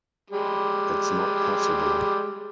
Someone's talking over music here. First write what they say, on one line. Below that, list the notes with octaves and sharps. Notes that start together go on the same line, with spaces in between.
It's not possible.
G3 G#3